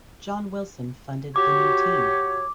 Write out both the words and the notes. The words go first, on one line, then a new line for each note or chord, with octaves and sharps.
John Wilson funded the new team.
F#4 G4 C#5 D6